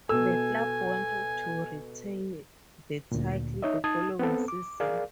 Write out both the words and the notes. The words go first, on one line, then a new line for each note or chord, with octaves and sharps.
The club went on to retain the title the following season.
B2 A4 G#5 E6
D2 A#2
D#4 C#5 D#5 E5
D#4 A5 D#6 G#6
B3 C4 A4
D6
G#4 A#4 D5 F5